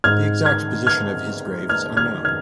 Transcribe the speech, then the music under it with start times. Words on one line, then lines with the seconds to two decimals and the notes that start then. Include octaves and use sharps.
The exact position of his grave is unknown.
0.04 G#2 F6 G#6
0.45 F6 G#6
0.87 F6 G#6
1.69 F6 G#6
1.97 F6 G#6
2.25 F6 G#6